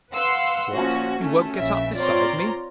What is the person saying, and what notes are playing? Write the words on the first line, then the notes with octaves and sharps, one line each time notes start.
"What--you won't get up beside me?"
B4 F5 F#5 C6 E6
A#2 F3 C#4 F#4
A3 C#4
A#1 C#3 E5
C4 F4 C#5 D5 A#5 C6